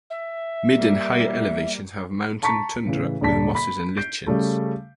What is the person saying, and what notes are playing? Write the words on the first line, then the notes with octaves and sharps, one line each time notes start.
Mid and higher elevations have mountain tundra with mosses and lichens.
E5
G3 A#3
A5 A#5 C#6 B6 C#7
A2 C#3 E3
D#1 D3 D5 A5 B6
B5 B6
G6 C7 D7
C#3 G3 A3